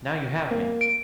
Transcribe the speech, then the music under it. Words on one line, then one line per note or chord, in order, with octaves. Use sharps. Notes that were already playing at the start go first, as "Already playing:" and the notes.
Now you have me!
A#3
D7